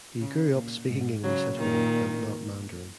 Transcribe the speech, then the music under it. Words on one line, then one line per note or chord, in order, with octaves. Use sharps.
He grew up speaking English at home and not Mandarin.
C#3
A#2
G#2
C#3 F#3
A#2 D#3